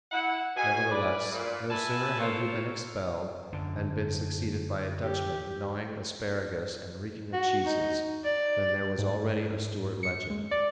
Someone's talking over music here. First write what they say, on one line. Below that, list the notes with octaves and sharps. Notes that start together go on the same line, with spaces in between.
Nevertheless, no sooner had he been expelled, and been succeeded by a Dutchman gnawing asparagus and reeking of cheeses, than there was already a Stuart legend.
E4 F#5
B2 G#5
B4 D5
A#2
B4 E5 G#5 A5
F4 A4 A#4 C5 C#5
F#2 D3
G4
F#4
D#4
D5
G#2
C#7
G#3
D5